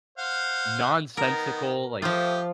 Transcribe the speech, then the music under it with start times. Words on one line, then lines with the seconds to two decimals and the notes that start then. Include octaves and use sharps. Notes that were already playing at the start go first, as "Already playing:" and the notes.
nonsensical, like
0.18 C5 F5 F#5
1.17 D#3 B3 A#4
2.02 F3 A3 F4 G4 D#6